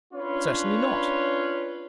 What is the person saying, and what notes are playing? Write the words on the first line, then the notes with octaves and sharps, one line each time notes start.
"Certainly not!"
C#4 D4 F4 B4 C#5